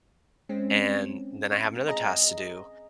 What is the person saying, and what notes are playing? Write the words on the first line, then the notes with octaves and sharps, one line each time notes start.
and then I have another task to do,
G#3 C4 C#4
G#4 D#5 A#5